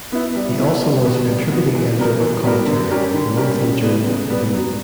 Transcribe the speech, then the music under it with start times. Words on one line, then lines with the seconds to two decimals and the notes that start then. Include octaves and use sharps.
He also was a contributing editor of Commentary, the monthly journal of opinion.
0.12 B3 E4
0.35 G3
0.59 B3 E4
0.83 G3
1.06 B3 F#4
1.29 G3
1.52 B3 F#4
1.75 E3
1.98 G3 B3 F#4 A#4
2.20 E3
2.44 G3 B3 F#4 A#4
2.67 D3
2.91 G3 C#4 G4 A#4
3.14 D3
3.37 G3 C#4 G4 A#4
3.59 C#3
3.82 G3 B3
4.07 C#3
4.30 G3 B3
4.53 F#3